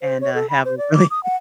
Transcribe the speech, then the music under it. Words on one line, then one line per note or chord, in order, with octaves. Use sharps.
and, uh, have a really
C5
C#5
A4
B5
C5
D5
D6
D#6
F#5